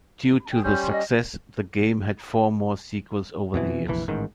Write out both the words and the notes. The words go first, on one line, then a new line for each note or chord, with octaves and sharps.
Due to the success, the game had four more sequels over the years.
G#4 G5
G3 C#4 C6 G6
C6
D#5
F2 B2 E3
F1 A#1 E3
A1 G#2 D#3